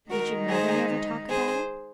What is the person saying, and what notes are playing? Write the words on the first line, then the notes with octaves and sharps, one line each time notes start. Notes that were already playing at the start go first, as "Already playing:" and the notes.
"Did your mother never talk about him?"
D#3 G#3 D#4 F#4 A#4
G#4 C5
G#4 C5